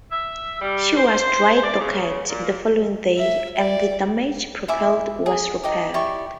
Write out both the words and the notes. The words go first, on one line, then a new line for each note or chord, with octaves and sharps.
She was drydocked the following day, and the damaged propeller was repaired.
E5
G3
C5
D5
C#3
A#2
E5
D5
E4 E5 G#5 D6
G#4
D#4 D#5 G5 D6
E4 G4 D5 C#6